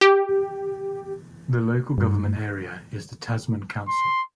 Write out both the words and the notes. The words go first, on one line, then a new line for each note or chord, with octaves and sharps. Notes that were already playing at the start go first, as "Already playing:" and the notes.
The local government area is the Tasman Council.
G4
G2
C6